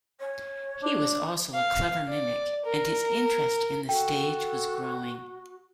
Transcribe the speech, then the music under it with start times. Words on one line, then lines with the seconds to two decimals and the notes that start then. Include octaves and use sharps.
He was also a clever mimic, and his interest in the stage was growing.
0.19 C#5
0.83 D4
1.54 F5
2.09 D5
2.66 A#4
3.89 F#4 A4 G5